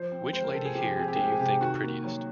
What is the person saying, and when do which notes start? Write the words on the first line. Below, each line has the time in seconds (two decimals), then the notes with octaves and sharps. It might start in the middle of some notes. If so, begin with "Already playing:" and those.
Which lady here do you think prettiest?
Already playing: F3 C5
0.12 C4
0.33 G#3 C5
0.44 A#4
0.54 C3 A4
0.65 G#4
0.75 F3 G4
0.84 G#4
0.91 G4
0.97 C4 G#4
1.08 G4
1.16 G#4
1.19 G#3 G4
1.32 G#4
1.40 C3 G4
1.61 D#3 F#4
1.83 A#3
2.04 F#3